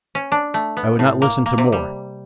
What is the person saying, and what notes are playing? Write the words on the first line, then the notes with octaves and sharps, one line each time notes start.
I would not listen to more.
C#4
D4
A3
B3
A2
A#3
A#3
C3
G3